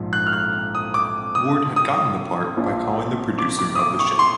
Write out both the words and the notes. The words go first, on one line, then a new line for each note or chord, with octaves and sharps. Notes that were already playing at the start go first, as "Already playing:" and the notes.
Ward had gotten the part by calling the producer of the show.
Already playing: A#1 G#2 F3
F#6
F6
F#6
D#6
D6
D#6
D#6
A#1 A#2 F3
D6
D6
D#6
D6
C#6
C6